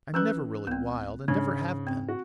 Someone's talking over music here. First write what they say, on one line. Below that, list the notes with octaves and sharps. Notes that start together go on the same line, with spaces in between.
I'm never really wild and never have been.
E3 C#4 B4 E6 F#6
C#2 B3 C4
G#2 C#3 D4
C4
F#4